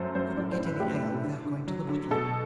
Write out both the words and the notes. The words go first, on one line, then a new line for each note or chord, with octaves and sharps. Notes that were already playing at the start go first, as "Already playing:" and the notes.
I couldn't get any ale without going to the butler.
Already playing: F#2 F#3 A3 C5
F#2 C5
A2 D5
C5
A2
B4
A3 G4
A3
D3
D3
F#3
D3
B2 A4